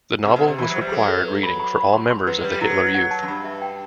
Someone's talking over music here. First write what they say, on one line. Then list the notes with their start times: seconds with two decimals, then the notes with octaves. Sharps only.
The novel was required reading for all members of the Hitler Youth.
0.25 C3 C5
0.36 B2
0.42 C5
0.47 C3
0.58 E3 B5
0.70 F#3
0.76 G3 C5
0.92 F#3 A4
1.09 A4
1.26 B4
1.43 B5
1.60 B5
1.77 B5
1.93 C6
2.11 C6
2.27 F#3 B4
2.44 G3 B4
2.61 F#3 E4
2.77 B4
2.95 F#5
3.11 A5
3.23 F#2
3.28 G2 B5
3.44 E5
3.62 G5